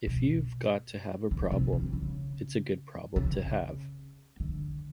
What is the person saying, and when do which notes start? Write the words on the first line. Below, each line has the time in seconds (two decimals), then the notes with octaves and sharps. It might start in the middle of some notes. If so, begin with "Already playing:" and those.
If you've got to have a problem, it's a good problem to have.
0.07 B2
1.31 C#3
1.51 C3
1.72 C#3
1.93 C#3
3.16 C#3
4.40 D3